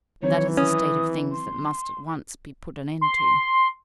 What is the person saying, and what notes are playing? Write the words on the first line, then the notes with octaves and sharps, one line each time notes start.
That is a state of things that must at once be put an end to!
D#3 E3 F#3 C4 C#5
C#4 D#6
C6
C6